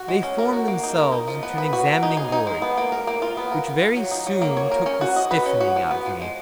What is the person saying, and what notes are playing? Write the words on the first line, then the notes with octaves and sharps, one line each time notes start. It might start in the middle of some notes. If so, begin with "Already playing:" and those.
They formed themselves into an examining board, which very soon took the "stiffening" out of me.
Already playing: F#4
G#3
C#4
A#4
F#4
A#3
D#4
A#4
D#4
F3
B3
B4
F#4
A#3
D#4
G#4
D#4
G#3
B3
A#3
A#4
A#3
F4
B3
A#4
B3
F4
F#3
D#4
F#3
A#3
C#5
A#4
C#4
F#4
D#5
B4
C#4
F#4
F3
B3
F3
G#3